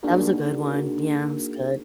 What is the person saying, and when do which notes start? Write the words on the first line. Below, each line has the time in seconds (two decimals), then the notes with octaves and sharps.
That was a good one, yeah, it was good.
0.03 A#3 D4 D#4 F#4 G#4 A#4